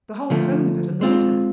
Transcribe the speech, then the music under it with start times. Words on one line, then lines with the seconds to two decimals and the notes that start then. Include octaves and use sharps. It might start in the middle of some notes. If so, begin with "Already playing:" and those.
The whole tone of it annoyed her.
0.30 D3 F3 A3
1.01 G#3 C4 F4